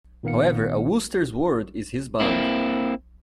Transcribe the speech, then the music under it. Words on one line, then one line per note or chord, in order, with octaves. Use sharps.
However, a Wooster's word is his bond.
A#2 D#3 B3 F5 C#7
A#3 C4 E4